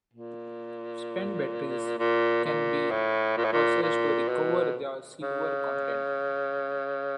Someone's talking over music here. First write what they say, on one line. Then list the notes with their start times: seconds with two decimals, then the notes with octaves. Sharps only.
Spent batteries can be processed to recover their silver content.
0.13 A#2
1.98 A#2
2.44 A#2
2.91 A2
3.37 A#2
3.44 A2
3.52 A#2
3.82 A#2
4.28 B2
5.21 C#3